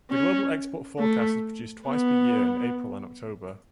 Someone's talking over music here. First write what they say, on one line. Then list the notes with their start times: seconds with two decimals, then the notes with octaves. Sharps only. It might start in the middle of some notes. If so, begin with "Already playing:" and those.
The Global Export Forecast is produced twice per year in April and October.
0.10 C#4
0.98 A3
1.87 B3